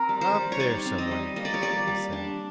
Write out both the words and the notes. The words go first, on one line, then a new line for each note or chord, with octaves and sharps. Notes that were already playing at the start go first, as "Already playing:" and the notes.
"Up there somewhere," he said.
Already playing: C4 A#4
G3
C5
G3
C#5
D#4 D5
C4
D#5
G3
A#3 D#5
D5
C#5
G3 D5
G3
D4